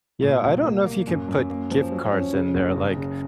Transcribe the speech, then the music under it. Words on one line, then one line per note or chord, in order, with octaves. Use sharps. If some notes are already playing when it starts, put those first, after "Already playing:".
Yeah, I don't know if you can put gift cards in there. Like,
A#2
C2
A#3
A#3
F#2
F#2
A#3
F3
F#3
C#4
C#3
F#1
C#3
C#3